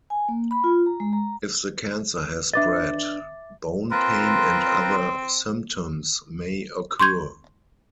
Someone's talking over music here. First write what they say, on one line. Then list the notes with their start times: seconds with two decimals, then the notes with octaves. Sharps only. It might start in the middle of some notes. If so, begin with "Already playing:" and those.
If the cancer has spread, bone pain and other symptoms may occur.
0.10 G#5
0.29 A#3
0.51 B5
0.64 F4
0.86 A#5
1.00 G#3
1.13 A#5
2.53 D4 B4 D#5 E5 D6 A6
3.91 C4 F4 A#4 B4
7.00 C6 C#6 G6 G#6